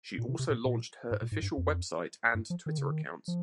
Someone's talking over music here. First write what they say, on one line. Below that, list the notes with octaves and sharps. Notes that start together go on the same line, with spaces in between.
She also launched her official website and Twitter account.
A#2
C3
C3
A#2
A#2
G#2
A#2
G#2
G2
F2
G2
F3
D#3
C#3
D#3
F3